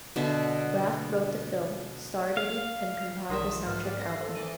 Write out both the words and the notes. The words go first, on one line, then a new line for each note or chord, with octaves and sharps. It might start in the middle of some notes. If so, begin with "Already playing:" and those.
Braff wrote the film, starred in it, and compiled the soundtrack album.
B2 D3 E5
F5
B1 D#3 F3 E5 C6 D#6 A#6
G#2 B3 A4 F6
G#2 G4 D5
B3 F5 A#6 C7
A4 C5
E3 D5 D#5